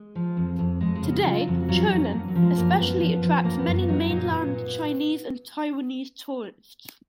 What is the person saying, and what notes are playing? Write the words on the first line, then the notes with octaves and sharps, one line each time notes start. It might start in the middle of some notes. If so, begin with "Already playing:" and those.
Today, Cholon especially attracts many Mainland Chinese and Taiwanese tourists.
Already playing: G#3
F3
F2
F2
F2 G#3
G#3
C#3
F#4
F#3 F4
F2
F#4
F#3 F4
D#4
F2
C#4
F#2 A#3
F#3
F3
G#3
F#2 A#3
F#2 B3
F3
F3
F#2 A#3
B3
F#2
B3
F4
F#3 D#4
A#2 D#4
A#2 B3
A#2